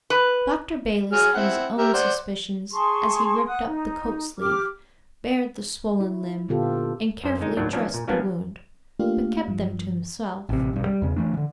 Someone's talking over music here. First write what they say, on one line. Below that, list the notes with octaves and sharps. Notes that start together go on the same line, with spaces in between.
Dr. Balis had his own suspicions as he ripped up the coat sleeve, bared the swollen limb, and carefully dressed the wound; but kept them to himself.
B4
F#3 G#4 F6
C4 E4 F#5
G4 A#4 E5
C5 D5 F#5
G#4 A5 C6 C#6
F#5 D#6 F#6
D#4
G4 D6 F6
E4
A#2 D3 B3 F4 G4 A4
F#2 C5
D3 G#3 D#4
D#2 A2 D#3 F#3 D4
D#3 F3 F#3 A#3 C#4 D4
A#2
F3 G3 A#3 B3 C#4 D4
A3 A#3 D4 F4 G4 F5
G2 F3
A1 C3
B1 G2
G3
E2 C#3
E3 F#3 A3 D4
D3 E3